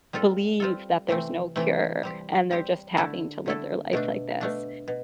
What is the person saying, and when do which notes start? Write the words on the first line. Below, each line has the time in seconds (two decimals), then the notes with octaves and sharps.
believe that there's no cure and they're just having to live their life like this.
0.13 G3 C4 F4 A4
0.60 G3 C4 F4 A4
1.08 C3 E3 A3 C4
1.56 C3 E3 A3 C4
2.03 G3 C4 G4
2.51 G3 C4 G4
2.98 D3 A3 E4 A4
3.46 D3 A3 E4 A4
3.93 B2 A3 D4
4.41 B2 A3 D4
4.88 B2